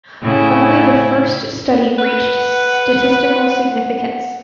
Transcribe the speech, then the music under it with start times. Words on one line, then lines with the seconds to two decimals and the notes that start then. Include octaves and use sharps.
Only the first study reached statistical significance.
0.22 A2 C#3 E4
1.99 B4 F#5